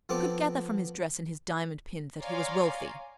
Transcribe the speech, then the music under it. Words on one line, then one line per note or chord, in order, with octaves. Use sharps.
I could gather from his dress and his diamond pin that he was wealthy.
F3 B3 C4 A4 D6
C#5 D5 F5 G#5 A#5 C6